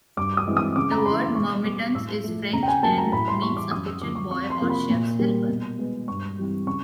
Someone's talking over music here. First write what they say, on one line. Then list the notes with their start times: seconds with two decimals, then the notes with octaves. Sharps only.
The word "Marmitons" is French and means a kitchen boy, or chef's helper.
0.17 G2 D6
0.37 D#6
0.47 E3 G#3 C4
0.57 D#6
0.76 C#3 D6
0.91 A#5
0.98 B5
1.06 E3 A3 C6
1.35 B2 C#6
1.65 G3 B3 D6
1.94 A2 E6
2.24 F3 A3
2.53 C#3 A#5
2.63 G5
2.68 G#5
2.83 F#3 A#3 A5
2.98 A#5
3.12 A2 B5
3.28 C6
3.42 E3 G3 C#6
3.57 D6
3.71 F#2 D#6
3.86 E6
4.01 D3 F3 D6
4.15 C#6
4.30 F2 C#6
4.50 C6
4.60 C3 F3 A#3
4.69 B5
4.89 A#2
5.19 G3 A#3
5.49 B2
5.78 G#3 B3
6.08 G2 C#6
6.37 E3 G3 C4
6.67 C#3 C#6